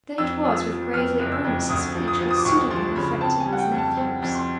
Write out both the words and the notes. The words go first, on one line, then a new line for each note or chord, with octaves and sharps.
Then it was with gravely earnest speech which suitably affected his nephews.
F2 E6
F3 D#6
E6
F3
F2 F6
F#1
E6
F2
D2 D#6
F3
D#6
F3
D#6
D6
D2 C#6
F3 C6
C#3 B5
C4 A5
G#5
G3
F#5
G5
F2
A5
C4
F2
C6